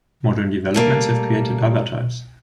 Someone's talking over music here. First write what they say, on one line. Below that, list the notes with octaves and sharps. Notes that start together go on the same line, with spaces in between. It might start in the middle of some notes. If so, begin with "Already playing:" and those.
Modern developments have created other types.
G3 A3 A#3